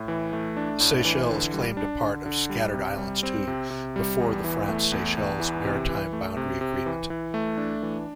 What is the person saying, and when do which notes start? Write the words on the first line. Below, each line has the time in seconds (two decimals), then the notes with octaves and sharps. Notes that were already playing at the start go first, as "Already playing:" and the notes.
Seychelles claimed a part of Scattered Islands too before the France-Seychelles Maritime Boundary Agreement.
Already playing: A2
0.08 E3
0.33 A3
0.57 D4
0.80 A2
1.05 E3
1.30 D3
1.53 G3
1.77 D4
2.02 D3
2.26 D3
2.50 G3
2.74 C3
2.98 G3
3.23 C4
3.47 C3
3.70 C3
3.96 G3
4.20 E2
4.44 E3
4.68 A3
4.92 E2
5.17 E2
5.40 E3
5.65 C3
5.89 E3
6.13 A3
6.37 C3
6.61 C3
6.86 E3
7.10 E3
7.34 A3
7.58 D4
7.83 E3